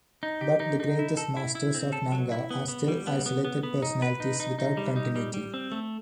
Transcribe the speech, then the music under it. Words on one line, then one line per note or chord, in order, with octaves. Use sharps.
But the greatest masters of Nanga are still isolated personalities without continuity.
D#4
G4
D#4
D#4
E4
A4
E4
E4
C4
A4
F#3
E4
B3
B3
G3
B3
B3
B3
B3
D#4
B4
D#4
D#4
D#4
G3
D#4
G3
G3
C4
A3